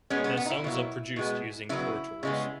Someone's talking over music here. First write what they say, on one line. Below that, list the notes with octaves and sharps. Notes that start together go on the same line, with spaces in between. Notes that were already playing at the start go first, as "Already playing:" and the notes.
Their songs are produced using Pro Tools.
B2 G#3 B3 C#4
B3
B3
D#4
E4
B2 F#3 A#3
B2 G#3 B3
C#3 F#3 B3 E4
C#3 G#3 B3